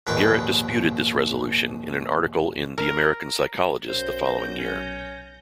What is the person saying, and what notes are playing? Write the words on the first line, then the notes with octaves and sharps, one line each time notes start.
Garrett disputed this resolution in an article in "The American Psychologist" the following year.
A#1 D#2 G#2 B4 G5
A#4
B1 F#2 C5 G6 A#6
C#4